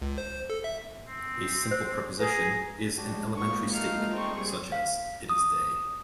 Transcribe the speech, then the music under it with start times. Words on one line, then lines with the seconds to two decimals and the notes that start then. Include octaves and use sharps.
A simple proposition is an elementary statement such as it is day.
0.02 C#2
0.18 C5
0.50 A4
0.64 E5
1.06 C4
1.71 C5
2.20 G#4 B4 A#5
2.97 G#3 D4 F#4 G4
3.37 D#3 F#3 G#3 A#3 B3 F4 C#6
3.73 A3 D#4 F5
4.13 G3 C4 G#4 C#6
4.72 F5
5.29 D#6